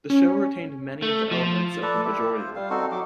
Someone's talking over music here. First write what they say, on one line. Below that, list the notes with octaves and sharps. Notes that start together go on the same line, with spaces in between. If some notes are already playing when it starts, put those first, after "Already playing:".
The show retained many of the elements of "The Majority Report".
C#4
A3
F3
A4 B4 D5
E4 G4 E5
F4 C5
G3 F5
C4 D#4 F#4 A4
F#3 D#4 D6